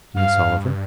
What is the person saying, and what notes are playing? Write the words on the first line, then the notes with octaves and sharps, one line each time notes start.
"Yes, Oliver?"
G2 F5